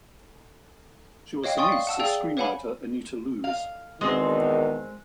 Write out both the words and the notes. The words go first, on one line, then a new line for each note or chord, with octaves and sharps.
She was the niece of screenwriter Anita Loos.
C#5 D#5 F5 G5
D5 G5 G#5 C6 C#6 D#6
F5
F#5 A5 E6
G#4 D5 F5 G5 E6
B4 C#5 F5 F#5 G#5 B5
F5
E2 B2 D#3 G#3 C4